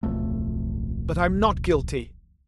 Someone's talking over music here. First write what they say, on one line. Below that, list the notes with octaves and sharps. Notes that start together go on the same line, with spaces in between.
But I'm not guilty.
D1 B1 F2 A3